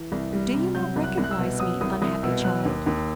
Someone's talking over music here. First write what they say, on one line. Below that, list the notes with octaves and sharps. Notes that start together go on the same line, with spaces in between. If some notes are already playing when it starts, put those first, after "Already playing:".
"Do you not recognize me, unhappy child?"
Already playing: E3
C2
G3
C3
F#3 G6
C2
F#6
C2
F#6
E6
B2
F#3 D#6
C2 D#6
C2 D#6
B2 E6
F#3 F#6
D#2
D#2